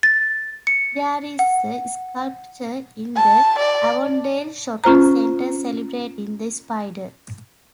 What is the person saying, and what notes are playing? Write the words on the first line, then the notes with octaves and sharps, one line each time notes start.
There is a sculpture in the Avondale shopping centre celebrating the spider.
A6
C#7
F#5
A5
D5
C#4 F4 C5 A#5